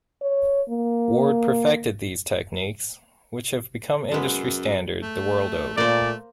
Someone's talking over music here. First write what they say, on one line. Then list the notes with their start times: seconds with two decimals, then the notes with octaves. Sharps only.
Ward perfected these techniques which have become industry standard the world over.
0.22 C#5
0.69 A#3
4.11 F#2 G#3 B3
5.02 A3
5.77 A#2 A3 A#3 C5 D5